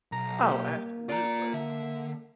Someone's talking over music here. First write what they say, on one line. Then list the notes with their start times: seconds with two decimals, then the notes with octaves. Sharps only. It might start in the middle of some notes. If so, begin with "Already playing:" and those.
Oh, absolutely.
0.12 B1 A#5
0.43 A#3 G4
1.09 F4 D5 A#5
1.53 D3 E5